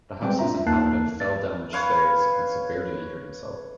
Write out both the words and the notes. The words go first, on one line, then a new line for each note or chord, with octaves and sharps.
The house's inhabitant fell down the stairs and severely injured himself.
G3 G#3 C4 B4 G5
D4 F4 E5 A#5
D#2 A#3 D#4 A5 F#6 C7
A6
B4 C#5 F5